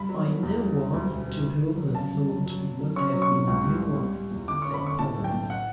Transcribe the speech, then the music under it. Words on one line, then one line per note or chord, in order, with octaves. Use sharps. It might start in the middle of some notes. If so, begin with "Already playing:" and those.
"I know one to whom the thought would not have been a new one," said Polwarth.
Already playing: G2 D4 B5
F#3
B3
E2
G3
G3
D2
E1
G3
D3
D3
F#3
C#3 A5
G1
F#2
F#3
F#3
F#3
C#4 C#6
F#3
C#6
A2
C#2
G3
C#2
G3
G3
E2
D3 D6
C#4 C#6
B5
D3 C#6
A2 A5
B1
G5
A2
F#5